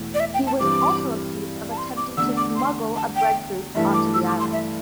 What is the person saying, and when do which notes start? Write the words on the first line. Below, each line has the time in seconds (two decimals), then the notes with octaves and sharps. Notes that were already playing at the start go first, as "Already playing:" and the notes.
He was also accused of attempting to smuggle a breadfruit on to the island.
Already playing: E1 E3 A3
0.14 D5
0.20 E5
0.34 G5
0.46 A5
0.59 G2 E3 G3 C4 D6
1.71 A5
1.77 C6
1.97 D6
2.17 E2 D3 A3 D4 E6
2.37 D6
2.56 C6
2.96 A5
3.16 G5
3.75 G2 E3 A3 E4 A4 E5
3.94 D6
4.14 E6
4.28 D6
4.40 C6
4.53 E5